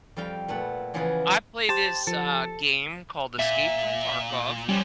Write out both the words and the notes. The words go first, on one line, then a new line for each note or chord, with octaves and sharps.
I play this, uh, game called Escape from Tarkov.
F2 G3 F5 G5
A#2 A3 B3 F#5
C#3 E3 F3 F4 G#4 F#5
G4 C5 A5
F3 A4
A#2 E5
F3 G3 C#4